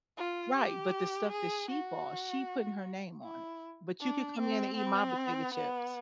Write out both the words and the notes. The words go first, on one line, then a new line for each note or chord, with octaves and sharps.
Right, but the stuff that she bought, she putting her name on it. But you could come in and eat my potato chips.
F4
G4
G#4
F#4
E4
D4
C4
C4
B3